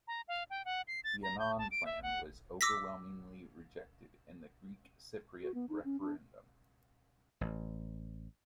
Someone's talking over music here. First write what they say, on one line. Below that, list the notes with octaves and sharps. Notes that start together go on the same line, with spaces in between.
The Annan Plan was overwhelmingly rejected in the Greek-Cypriot referendum.
A#5
F5
G5
F#5
C7
A6
A#5
G6
A5
D7
E5
F#5
D6 E6 A#6 B6
F#4
B3
D#4
C#4
D4
A1